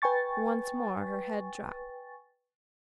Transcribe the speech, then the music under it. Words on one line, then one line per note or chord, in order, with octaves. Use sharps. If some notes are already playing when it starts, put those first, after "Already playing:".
Once more her head dropped.
B4 G5 G#5 C#6 A6